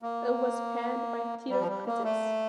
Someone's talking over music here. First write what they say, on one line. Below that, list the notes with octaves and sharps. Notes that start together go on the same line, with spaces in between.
It was panned by theatre critics.
A#3
G3
F3
G3
A#3
A3